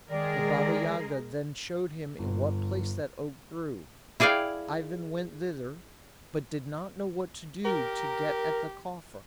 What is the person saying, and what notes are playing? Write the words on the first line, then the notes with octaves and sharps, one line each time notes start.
The Baba-Yaga then showed him in what place that oak grew: Ivan went thither, but did not know what to do to get at the coffer.
D#3 G#3 G#4 A#4 D5
G1
E4 G#4 D5 F5 G5
G4 A#4